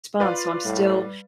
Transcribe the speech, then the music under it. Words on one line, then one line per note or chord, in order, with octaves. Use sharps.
respond, so I'm still,
F4 B4 D5 F5
A2 G3